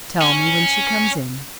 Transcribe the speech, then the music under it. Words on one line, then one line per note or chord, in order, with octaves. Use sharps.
"Tell me when she comes in--."
C#4